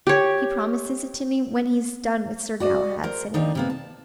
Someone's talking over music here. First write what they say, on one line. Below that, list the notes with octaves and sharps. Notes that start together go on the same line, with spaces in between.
He promises it to me when he has done with Sir Galahad,' said Amy.
G4 C#5
F#4 D5 D#5
A#4 C5
D#3 F3 D4 D#4
C3 A#3 B3
A5